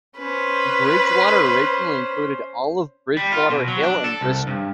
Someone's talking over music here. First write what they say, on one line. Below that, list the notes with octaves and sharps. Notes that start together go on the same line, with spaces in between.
Bridgewater originally included all of Bridgewater Hill and Bristol.
C#4 B4 C5
G3
F4
B2
F#3
D4
A4
C2
G2